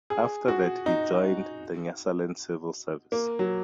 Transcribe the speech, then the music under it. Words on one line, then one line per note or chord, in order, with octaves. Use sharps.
After that, he joined the Nyasaland civil service.
G#4
F#4
D#4
A#3
F#3